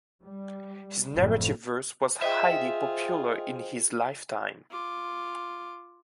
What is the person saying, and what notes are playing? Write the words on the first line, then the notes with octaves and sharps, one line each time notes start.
His narrative verse was highly popular in his lifetime.
G3
F#1 F2 A2
F4 G#4 C5 D#5 E5 G5
F4 D6